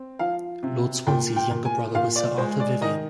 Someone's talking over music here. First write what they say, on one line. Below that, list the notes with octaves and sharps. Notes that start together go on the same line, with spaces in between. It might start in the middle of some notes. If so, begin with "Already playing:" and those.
Lord Swansea's younger brother was Sir Arthur Vivian.
Already playing: C4
F3 F5
C3
A#2 G5
G5
A#2
G#5
A#2 F5
D5
G#3 C5
D5
D#3 D#5